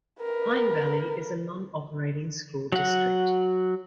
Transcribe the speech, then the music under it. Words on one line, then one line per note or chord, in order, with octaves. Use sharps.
Pine Valley is a non-operating school district.
A#4 B4
F#3 F#4 F#5